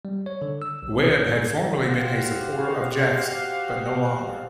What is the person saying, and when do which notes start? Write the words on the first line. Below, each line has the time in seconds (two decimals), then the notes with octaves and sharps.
Webb had formerly been a supporter of Jackson, but no longer.
0.05 G3
0.26 C#5
0.42 D3
0.62 E6
0.82 B1
1.86 F#4 G4 C5 F5